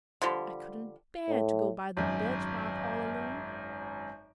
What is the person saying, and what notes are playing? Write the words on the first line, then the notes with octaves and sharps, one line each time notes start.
I couldn't bear to go by the Birch Path all alone.
D3 F3 G3
A2
G#1 F#2